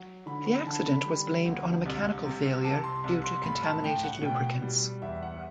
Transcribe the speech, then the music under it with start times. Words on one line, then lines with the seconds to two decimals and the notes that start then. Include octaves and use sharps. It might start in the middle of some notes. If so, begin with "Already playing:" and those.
The accident was blamed on a mechanical failure due to contaminated lubricants.
Already playing: F#3
0.26 D3 B5
0.46 B5
0.66 D3 A5
0.87 B5
1.05 G3
1.45 D2
1.86 C2
2.24 C3
2.65 C3 A5
2.84 C6
3.04 C2
3.24 C6
3.43 A2 B5
3.64 A5
3.83 A2 G5
4.04 F#5
4.22 B2 G5
4.62 G3
5.02 E2 E5
5.23 F#5